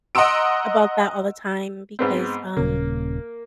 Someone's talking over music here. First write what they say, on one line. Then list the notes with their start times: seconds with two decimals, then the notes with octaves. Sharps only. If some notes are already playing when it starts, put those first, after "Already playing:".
about that all the time because, um,
0.15 D#5 F#5 A#5 C6 E6 D7
1.99 G#2 B3 C4
2.57 D#1 C#3 A#3